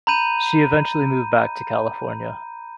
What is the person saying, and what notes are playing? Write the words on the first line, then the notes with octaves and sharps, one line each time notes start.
She eventually moved back to California.
A#5 B5 G6 D#7